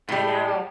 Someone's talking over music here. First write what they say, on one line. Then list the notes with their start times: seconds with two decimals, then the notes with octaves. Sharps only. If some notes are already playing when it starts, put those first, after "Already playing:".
I know.
0.09 A2 G3